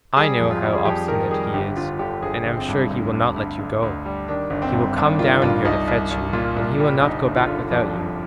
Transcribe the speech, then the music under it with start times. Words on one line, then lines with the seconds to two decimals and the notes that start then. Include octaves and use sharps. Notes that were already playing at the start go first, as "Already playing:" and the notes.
I know how obstinate he is, and am sure he will not let you go; he will come down here to fetch you, and he will not go back without you.
0.16 G3 G#4
0.39 F2
0.51 F4
0.62 G3
0.74 G#4
0.85 F2 G4
1.08 D#3 A#4
1.31 G3 G#4
1.54 G1 G4
1.76 G1 F4
1.99 D3 G4
2.22 G1 G#4
2.45 G1
2.57 C4
2.68 G2
2.90 D2
3.13 D2
3.36 D2
3.59 D2
3.82 D2
4.05 G3
4.28 D#3 D4
4.50 G1
4.62 C4
4.73 G2
4.96 G2 D4
5.19 D#3 F4
5.42 G2 F4
5.65 C2 D#4
5.87 C2
6.11 C2
6.33 A#2 F4
6.56 C2
6.79 G3
7.02 G1 D#4
7.25 G1
7.36 F4
7.47 D3
7.70 F2 D4
7.93 F2